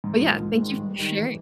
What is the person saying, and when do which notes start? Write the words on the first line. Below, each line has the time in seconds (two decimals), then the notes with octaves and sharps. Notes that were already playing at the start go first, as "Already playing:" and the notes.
But, yeah, thank you for sharing
0.04 G#2
0.21 F3 A#3
0.40 G#2
0.58 D#3 G#3
0.77 G2
0.96 D#3 G3
1.14 E3